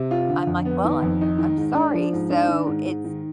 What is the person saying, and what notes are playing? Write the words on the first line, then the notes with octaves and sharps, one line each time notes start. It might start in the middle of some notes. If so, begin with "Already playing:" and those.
I'm, like, "Well, I'm I'm sorry." So, it's
Already playing: C3
F4
D3
F2
B3
D#3
F2
D#4
D#3
G#2
D4
F3
G#2
D4
D#3
G#2
G#2
D#3